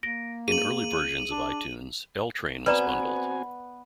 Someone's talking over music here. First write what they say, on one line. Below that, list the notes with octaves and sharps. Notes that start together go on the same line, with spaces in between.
In early versions of iTunes, "L Train" was bundled.
A#3 A#6 D7
G#4 D#7 F#7
D4
B3 C4 F#4 B4 D5 G#5 A#5